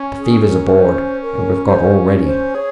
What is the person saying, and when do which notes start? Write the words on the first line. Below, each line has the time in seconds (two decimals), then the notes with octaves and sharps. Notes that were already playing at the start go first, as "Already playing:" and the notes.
The fever's aboard, and we've got all ready.
Already playing: C#4
0.18 G#4
0.47 A#4
0.77 C5
1.22 A#4
1.66 C5
2.25 C5
2.55 G#4 C#5